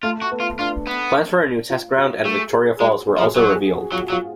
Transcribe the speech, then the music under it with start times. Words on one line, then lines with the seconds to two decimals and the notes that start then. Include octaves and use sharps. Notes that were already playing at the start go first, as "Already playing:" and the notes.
Plans for a new Test ground at Victoria Falls were also revealed.
0.03 A3 F4
0.22 F#4
0.31 B3
0.40 F4
0.59 D4 F4
0.87 B3
1.70 F4
1.98 F#4
2.25 A3 G#4
2.53 G#4
2.80 G#3 F#4
3.08 G#4
3.18 F3
3.26 G#4
3.36 F#3 F#4
3.55 G#4
3.74 F#4
3.92 F#3 F4
4.02 F#4
4.10 F#3
4.12 F4